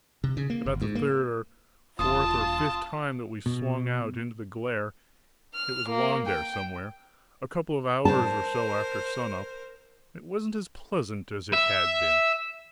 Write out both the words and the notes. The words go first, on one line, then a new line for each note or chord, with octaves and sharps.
About the third or fourth or fifth time that we swung out into the glare--it was along there somewhere, a couple of hours or so after sun-up--it wasn't as pleasant as it had been.
C3
C#3
A#3
G1
G#2
A#3
E1 F4 A5 D#6
B2
F6
A#3
G5
A#4 C5 A5
E5